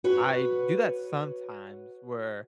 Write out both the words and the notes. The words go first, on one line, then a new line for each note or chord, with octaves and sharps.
I do that sometimes where
F#4 B4 C#5